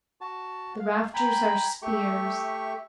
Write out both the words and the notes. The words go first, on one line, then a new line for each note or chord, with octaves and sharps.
The rafters are spears.
F#4 A5
F5
G5 G#5 A#5 B5
A3 G4 E5 C#6